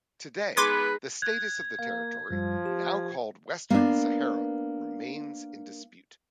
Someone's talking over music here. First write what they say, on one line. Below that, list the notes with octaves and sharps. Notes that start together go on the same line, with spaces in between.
Today, the status of the territory, now called Western Sahara, remains in dispute.
G#3 B3 D#4 B4 C6 D6 G#6
F#6 G#6
A#3 F5
F#2 F3 G3
G4
A#3 B3 D4